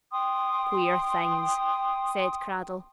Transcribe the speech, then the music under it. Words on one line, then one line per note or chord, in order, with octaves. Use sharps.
"Queer things!" said Cradell.
G5 C6 D#6